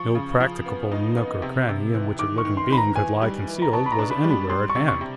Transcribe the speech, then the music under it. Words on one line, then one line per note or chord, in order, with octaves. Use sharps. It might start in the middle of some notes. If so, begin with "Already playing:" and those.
No practicable nook or cranny, in which a living being could lie concealed, was anywhere at hand.
Already playing: F3 C#6
C#3
F3
B3
D#4
B3
C3
C3
E3
D#3 D6
C#6
D#3
C6
D#3 B5
A#5
E3 G#5
G3
E3
A#5
B2 A5
B5
A#5
D4
B5
G3
B5
G3 C6
C#6
C3
C#6
C3